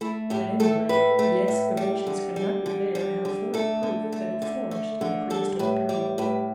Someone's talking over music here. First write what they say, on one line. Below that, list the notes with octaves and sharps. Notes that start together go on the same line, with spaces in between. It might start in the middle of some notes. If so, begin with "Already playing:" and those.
At any rate, the excavations conducted there have afforded proof that it flourished in the prehistoric period.
A3 E4
A2 G4
A3 A4
A2 B4
A3
A2
G3
D3
G3
D3
G3
D3
A3 A4
D3
A3
D3
A3
D3
G3 A4
A2 B4
G3 D5
A2 B4